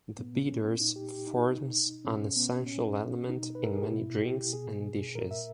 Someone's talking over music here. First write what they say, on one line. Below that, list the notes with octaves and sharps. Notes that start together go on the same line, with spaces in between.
The bitters forms an essential element in many drinks and dishes.
A#2 B3
C#4
A#2 D#4
G4
G4
D#4
B2
B2 C#4
B3
A#2 C#4
B2 D#4
B4
A#4
G#4
G4
B2 E4
G4
B2 G#4
A#2 A#4
E5